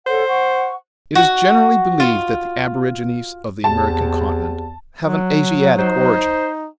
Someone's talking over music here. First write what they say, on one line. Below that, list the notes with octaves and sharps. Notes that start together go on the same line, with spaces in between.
It is generally believed that the Aborigines of the American continent have an Asiatic origin.
A4 C5 C#5 F#5
F#5 C#6
F#4
F4
E2 C4 G4 G#4 A5
F#3
D#4 C5